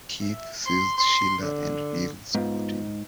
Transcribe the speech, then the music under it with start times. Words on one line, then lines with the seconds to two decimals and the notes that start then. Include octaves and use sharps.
Keith seized Sheila and Neil’s protein.
0.22 E5
0.66 C6
0.98 C6
1.42 D3
2.35 G#2 B3 F4